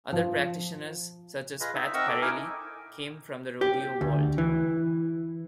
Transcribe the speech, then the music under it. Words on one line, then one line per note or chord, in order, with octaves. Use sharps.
Other practitioners, such as Pat Parelli, came from the rodeo world.
F3
F4 G#4 B4 D#5
D#4 E5
C4 A#4 D#5 F#5 C#6 E6
A4 D6
D#4 E4 A#4 G#5 D6
G4
D2
E3